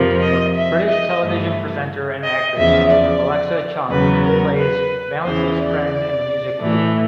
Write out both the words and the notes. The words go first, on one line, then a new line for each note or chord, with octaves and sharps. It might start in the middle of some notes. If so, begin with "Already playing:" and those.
British television presenter and actress Alexa Chung plays Valance's friend in the music video.
Already playing: F2 C3 F3 A#3
D#5
E5
D#5
G2 E3 A3
D#5
E2 C#3 F3 E5
D5
E2 C#3 F#3 B3 B4
A#4
B4
E2 C#3 E3 C5
D5
A2 E3 A3